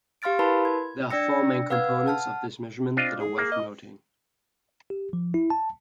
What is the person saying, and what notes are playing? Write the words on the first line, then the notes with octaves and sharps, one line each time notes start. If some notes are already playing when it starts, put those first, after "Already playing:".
There are four main components of this measurement that are worth noting.
G4 F5 C6 F6 A6 D7
E4 A#4 B4 A5 B5 C6
G#6
D4 D5 G5 E6 A#6 C#7
B4 F5 F#5 E6 F6 G#6
F#5 A5 F6
C4 D4 F4 D#5
G#4
A#3
D#5
G4
F3
E4
A5